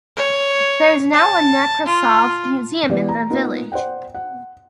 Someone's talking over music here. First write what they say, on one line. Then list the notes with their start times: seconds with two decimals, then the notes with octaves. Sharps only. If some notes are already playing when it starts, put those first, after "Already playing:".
There is now a Nekrasov museum in the village.
0.16 C#5
1.13 A5
1.86 F4
2.89 E3 B3 G4 B4 D5
3.09 A#5
3.30 A#3 B3 D#4 F4 B4
3.72 C5 D5 F#5 G5
4.14 F#5